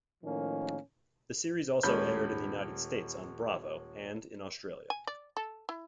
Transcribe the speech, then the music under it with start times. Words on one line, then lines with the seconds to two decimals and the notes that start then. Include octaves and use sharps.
The series also aired in the United States on Bravo, and in Australia.
0.24 A2 D#3 F3 A#3 C#4
1.83 D#1 G#3 C#4 B5 G6
4.90 G#5
5.07 D5
5.37 A4
5.69 E4